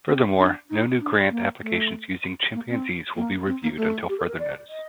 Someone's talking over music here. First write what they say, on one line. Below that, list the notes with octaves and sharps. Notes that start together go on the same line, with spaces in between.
Furthermore, no new grant applications using chimpanzees will be reviewed until further notice.
C4
D4
D#4
D4
A#3
A3
A#3
C4
A#3
C4
A#3
A3
G4
A4
A#4
D5
D#5